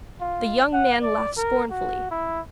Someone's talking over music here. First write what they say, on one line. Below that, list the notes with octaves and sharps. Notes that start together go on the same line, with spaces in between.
The young man laughed scornfully.
F4
F#5
D5
A#4
F#4
E4